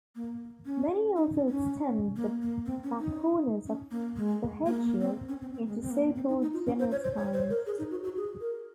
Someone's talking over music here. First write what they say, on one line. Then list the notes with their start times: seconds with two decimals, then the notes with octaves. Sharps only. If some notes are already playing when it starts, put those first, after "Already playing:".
Many also extend the backcorners of the headshield into so-called genal spines.
0.16 A#3
0.66 C#4
1.16 D#4
1.33 C#4
1.49 C#4
2.16 A#3
2.42 A#3
2.66 C4
2.83 C#4
2.99 D#4
3.66 C#4
3.91 A#3
4.17 G#3
4.66 A#3
4.83 A#3
5.00 C4
5.29 C#4
5.41 C4
5.53 C4
5.67 G#3
5.82 C4
5.91 A#3
6.16 C4
6.29 D#4
6.42 D#4
6.54 F4
6.66 C#4
6.79 C5
6.91 C#5
7.04 C5
7.17 C#5
7.33 C5
7.50 A#4
7.66 G#4
7.78 D#4
7.91 F#4
8.04 F#4
8.17 G#4
8.41 A#4